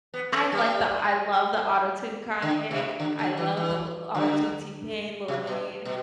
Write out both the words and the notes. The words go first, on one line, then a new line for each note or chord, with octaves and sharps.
I like the I love the Auto-Tune Kanye. I love the l Auto-Tune T-Pain, Lil Wayne.
B3
A3
G3
D3
C3
D3
D3
E3
E3
D3
C3
B2
B2